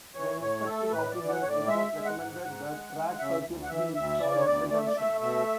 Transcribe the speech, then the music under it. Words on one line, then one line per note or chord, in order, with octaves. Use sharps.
The Inspecting Officer's report recommended that track circuits be installed at the junction.
E3 C#5
A2 C#5
A3 A4
A2 B4
D5
E3
F#5
A2 C#5
D5
G#3 E5
G#3
F#5
G#2
G#2
G#3
G#3
C#3 E5
D2
F#5
E3 E5
D2 E5
C#3 D5
C#5
D2 D5
A3 D5
E5
D5
A3 E5
B2 E5